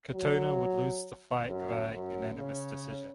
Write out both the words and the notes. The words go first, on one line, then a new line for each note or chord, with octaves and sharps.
Katona would lose the fight via unanimous decision.
F#3
F#2
F#2
C#3